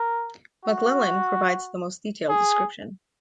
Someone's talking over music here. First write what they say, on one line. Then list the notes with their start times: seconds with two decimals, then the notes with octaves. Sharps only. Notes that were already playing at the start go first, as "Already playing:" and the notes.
McClellan provides the most detailed description.
Already playing: A#4
0.65 F#4
2.29 G#4